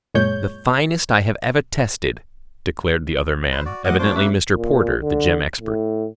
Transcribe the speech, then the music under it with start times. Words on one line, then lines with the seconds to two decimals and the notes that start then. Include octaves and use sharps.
"The finest I have ever tested!" declared the other man, evidently Mr. Porter, the gem expert.
0.15 F#2 A#2 G#3 C#5 G6
3.52 B4 C5
3.66 F#4 D5
3.85 F#3 A3 D#5 F#5 D6 D#6 F6
3.99 C#4 D4 F4 C5 C#6 D6 G#6
4.16 A#3 C#4 B4 E5 F#6
4.55 A#2
5.01 D3
5.60 A2